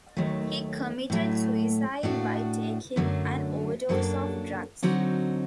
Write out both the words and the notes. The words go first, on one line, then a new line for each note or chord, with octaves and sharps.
He committed suicide by taking an overdose of drugs.
D#2 D#3 F#3 A3
A2 F#3 A3
A2 A3 D4 F#4
F#2 D3 F#3 A3 D4
F#2 F#3 A#3 D4 A4
D3 F#3 C4 D#4 F#4